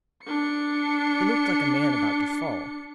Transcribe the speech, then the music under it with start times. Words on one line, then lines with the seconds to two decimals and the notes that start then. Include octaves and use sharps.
He looked like a man about to fall.
0.24 D4 C#7